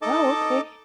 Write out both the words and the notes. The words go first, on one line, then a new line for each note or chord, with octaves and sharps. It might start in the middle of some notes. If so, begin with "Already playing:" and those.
Oh, okay.
D#4 A4 D#5 A5 D6